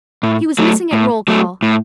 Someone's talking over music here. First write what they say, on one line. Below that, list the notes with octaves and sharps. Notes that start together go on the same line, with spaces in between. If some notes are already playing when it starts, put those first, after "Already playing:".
He was missing at roll-call.
A2
F#3 A3
A2
F#3 A3
A2